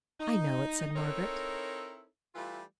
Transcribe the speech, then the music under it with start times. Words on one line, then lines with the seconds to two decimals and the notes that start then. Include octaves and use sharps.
'I know it,' said Margaret.
0.20 D#4
0.96 C4 D#4 E4 A4 A#4 C#5
2.35 E3 G3 A3 F4